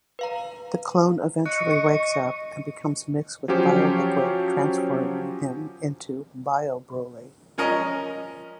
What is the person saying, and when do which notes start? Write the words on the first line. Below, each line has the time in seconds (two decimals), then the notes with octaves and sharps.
The clone eventually wakes up and becomes mixed with bio-liquid, transforming him into Bio-Broly.
0.19 B4 F5 A#5
1.46 D#5 C#6 F#6
3.48 F3 F#3 C#4 G4 C5
7.58 F3 C#4 A#4 D#5